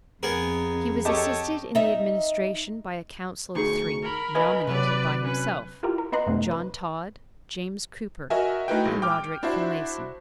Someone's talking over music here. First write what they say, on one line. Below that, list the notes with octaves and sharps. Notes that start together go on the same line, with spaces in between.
He was assisted in the administration by a council of three, nominated by himself--John Tod, James Cooper, and Roderick Finlayson.
F2 B3 G#4 A#4
G4 A4 C#5 D#5 A5
D#4 E5
D2 D#4 G#4 C#6
A#4 B5
B4 D#5 G#5
C3 F#3 B4 D5
C#4 B4
E4 F4 G4 A#4
A#4
B3 B4 D#5 A#5 C6 F#6
F#2 A2 C3 D#3
B4
F#4 A#4 D#5 E5 G#5
A3 D#4 E4 F#4 B4 G5
A#1 G#3
G5 D6 F6
D4 E4 F#4 C5 E5